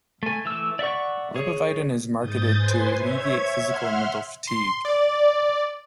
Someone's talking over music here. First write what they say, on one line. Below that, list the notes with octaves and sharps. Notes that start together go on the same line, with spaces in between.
Lipovitan is marketed to alleviate physical and mental fatigue.
A3 G#5
E3 A3 E6
D5 E5 F#5 C#6
G#4 C#5
G#2 D#6 G6 A6
B4 C5 G#5 C6
C#5 E5 G#6
E5 F#5 C6 F6
C6
D5